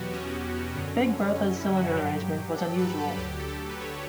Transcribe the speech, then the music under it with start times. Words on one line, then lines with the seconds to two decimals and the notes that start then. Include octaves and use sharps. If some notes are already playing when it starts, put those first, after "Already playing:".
Big Bertha's cylinder arrangement was unusual.
Already playing: E2 B2 F#3 B3 F#4 G4
0.13 C#4
0.75 F#2 D3 F#3
1.36 C#4
1.56 E4
1.77 F#4
1.96 G2 F#3 G4
2.58 A4
2.78 B4
2.99 G4
3.18 D2 D3 F#3 G4
3.39 A4
3.69 B4
3.81 C#5